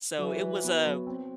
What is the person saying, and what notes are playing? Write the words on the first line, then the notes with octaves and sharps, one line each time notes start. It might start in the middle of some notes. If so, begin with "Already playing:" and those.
So it was a
E3 F#3
F#3
B3
F#3
C4